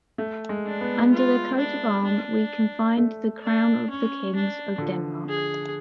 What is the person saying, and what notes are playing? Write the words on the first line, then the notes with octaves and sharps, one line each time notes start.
Under the coat of arm, we can find the crown of the Kings of Denmark.
A3
G#3
D4
B3
F4
D4
D4
A3
D4
C#4
D4
D3
F3
G#4